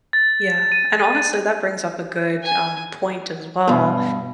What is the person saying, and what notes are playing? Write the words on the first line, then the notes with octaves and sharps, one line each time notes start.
Yeah, and honestly, that brings up a good, um, point as well
A6
D#7
G#5
G2 B2